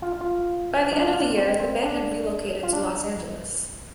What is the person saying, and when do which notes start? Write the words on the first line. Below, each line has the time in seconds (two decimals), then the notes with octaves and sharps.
By the end of the year, the band had relocated to Los Angeles.
0.02 F4
0.21 F4
0.93 D4
0.99 F4
1.07 D4
1.14 F4
1.20 D4
1.37 C4
1.60 C4
1.83 D4
2.63 F4
2.73 D4